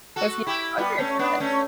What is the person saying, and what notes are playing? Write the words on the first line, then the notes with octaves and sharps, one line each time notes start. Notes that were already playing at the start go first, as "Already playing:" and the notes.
Was he a dog or a cat?
F#4 A4
E4 G4
G3 B3
A3 C#4
B3 D4
A3 C#4